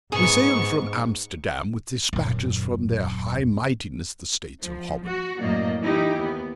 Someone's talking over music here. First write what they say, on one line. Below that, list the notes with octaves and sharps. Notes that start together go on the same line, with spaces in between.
We sailed from Amsterdam with despatches from their High Mightinesses the States of Holland.
G#2 B3 G#4 C#6
D#1 F#2
F3
F#4
F#2 A2 A#3 D5 D#5
E3 D#4 E4 G4
D#2 B3